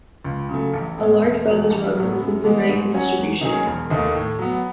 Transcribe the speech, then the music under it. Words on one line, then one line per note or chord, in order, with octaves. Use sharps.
A large bell was rung when the food was ready for distribution.
C#2
C#3 F#3 A3
A1
A2 G#3 B3
E1
E2 B2
A1
A2 F#3 B3
F#2
E3 G#3 B3
G#2
F#3 C#4 F#4 C#5
E2
D#3 F#3 C#4 G#4
E1
D#2 D#3 A3
A2
F#3 B3